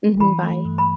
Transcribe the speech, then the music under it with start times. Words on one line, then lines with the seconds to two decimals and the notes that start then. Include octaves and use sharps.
Mhm, bye.
0.20 E3 B5
0.43 A3
0.65 G2
0.78 B5